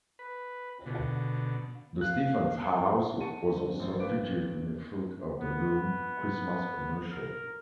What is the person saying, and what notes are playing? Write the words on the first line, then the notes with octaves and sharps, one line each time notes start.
The Stephens house was also featured in a Fruit of the Loom Christmas commercial.
B4
B2 D3
F5 F#6
F#5 A5 C#6 C#7 D#7
D3 G3 A3 C4
A1 F#3 C5 D5
A1 G2 B4 F5 D6 D7
B3
A#4